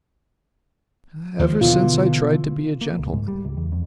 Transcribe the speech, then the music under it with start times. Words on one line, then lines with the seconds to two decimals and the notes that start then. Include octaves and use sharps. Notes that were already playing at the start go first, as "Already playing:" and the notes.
"Ever since I tried to be a gentleman."
1.39 D#2 F3
1.61 B2 D3 E3 F4
2.81 A#3
2.98 C#2
3.13 G#2
3.28 G3
3.45 C#2
3.57 E2
3.72 F2